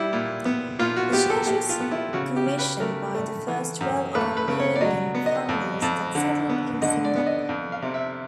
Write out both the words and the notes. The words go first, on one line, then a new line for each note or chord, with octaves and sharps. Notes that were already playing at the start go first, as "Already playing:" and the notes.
The church was commissioned by the first twelve Armenian families that settled in Singapore.
Already playing: G3 E4
A#2
B3
A#2 F4
F#4
B3 G4
A4
A#2 G4
F4
B3
E4
C#3 F#4
G4
C#3
B4
A3 A#4
A3
E3
F#2
A3 B4
B4
C#3
C#5
D5
F#3 D#5
B3
D#5
F2
F2
D3
B3
D3 D#5
D5
B3
D#5
F2
F5
C3
E5